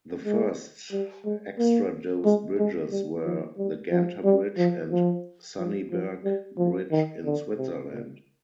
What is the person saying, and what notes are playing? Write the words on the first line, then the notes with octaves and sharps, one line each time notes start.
The first extradosed bridges were the Ganter Bridge and Sunniberg Bridge in Switzerland.
G#3
G3
G#3
A#3
G#3
G#3
G3
F3
G3
F3
G3
F3
F3
F3
F3
G3
F3
D#3
D3
C3
A#2